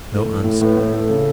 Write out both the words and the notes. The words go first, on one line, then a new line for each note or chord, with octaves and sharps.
No answer!
A2 A4
E3
A2
A2 B4
A2
A4
A2
C#3